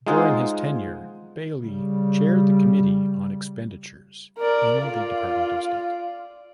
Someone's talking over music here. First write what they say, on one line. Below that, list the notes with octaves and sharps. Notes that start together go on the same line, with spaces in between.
During his tenure Bailey chaired the Committee on Expenditures in the Department of State.
G#3 D#4 F4 G#4 C5 F#5
C#3 G3
A#4 D5
F4 D5